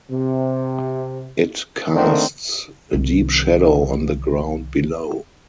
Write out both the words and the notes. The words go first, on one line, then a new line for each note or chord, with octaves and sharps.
It casts a deep shadow on the ground below.
C3
D3 D#3 A3 A#3 C4 D4
C2 D#3